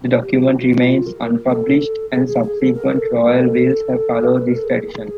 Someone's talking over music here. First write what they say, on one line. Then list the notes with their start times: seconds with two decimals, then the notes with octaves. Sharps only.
The document remains unpublished, and subsequent royal wills have followed this tradition.
0.22 G4
0.35 G4
0.43 F#4
0.66 F#4
0.82 F#4
0.86 F4
1.06 A#4
1.49 A4
2.12 G#4
2.27 G#4
2.43 G#4
2.60 A4
2.74 A#4
2.96 A4
3.17 A#4
3.38 A4
4.37 B4
4.46 A#4
4.55 A4
4.64 G#4